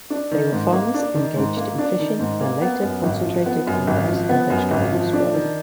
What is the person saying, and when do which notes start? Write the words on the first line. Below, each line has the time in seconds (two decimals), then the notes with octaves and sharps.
They were farmers engaged in fishing and later concentrated in rice and vegetables growing.
0.10 D4
0.32 D#3
0.52 G#2
0.73 A#3
0.94 D4
1.15 D#3
1.36 G#2
1.57 A#3
1.78 D4
1.99 D#3
2.19 G#2
2.41 A#3
2.62 B3
2.83 F#2
3.03 G#1
3.24 F3
3.46 B3
3.67 F#2
3.87 G#1
4.08 F3
4.29 B3
4.50 F#2
4.71 G#1
4.92 F3
5.13 D4
5.34 D#3